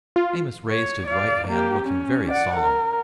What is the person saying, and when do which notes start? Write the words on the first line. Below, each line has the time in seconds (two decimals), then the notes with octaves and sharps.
Amos raised his right hand looking very solemn.
0.16 F4
0.69 C#5
1.07 D5 F5
1.48 A#3 G4
1.82 C#4
2.28 D5 F#5
2.57 A#4